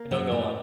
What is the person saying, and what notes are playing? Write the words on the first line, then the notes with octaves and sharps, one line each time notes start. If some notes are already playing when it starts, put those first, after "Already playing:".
No, go on.
Already playing: A#3
C#3 F#3
A2